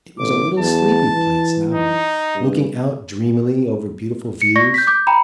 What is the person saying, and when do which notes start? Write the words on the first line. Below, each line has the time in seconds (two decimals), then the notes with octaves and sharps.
It was a little sleepy place now, looking out dreamily over beautiful views.
0.19 A1 D6
0.59 E2 A5
1.10 E3
1.74 D#4
2.35 G2
4.42 C#7
4.56 D5 C#6 A#6
4.74 G6 B6
4.87 D6 G6
5.07 G5 A#5 B5